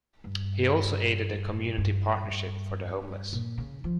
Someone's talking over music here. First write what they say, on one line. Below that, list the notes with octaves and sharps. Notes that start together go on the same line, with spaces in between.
He also aided the Community Partnership for the Homeless.
G2
G2
A#2
C#3
F3